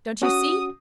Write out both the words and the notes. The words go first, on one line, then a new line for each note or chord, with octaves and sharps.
'Don't you see?
C#4 F#4 D#6